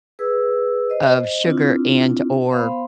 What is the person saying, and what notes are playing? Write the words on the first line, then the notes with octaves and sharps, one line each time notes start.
of sugar and/or,
G#4 B4 E6
C5 D#5
C4 D4 E4 F4
B3 C5 F5 B5 C6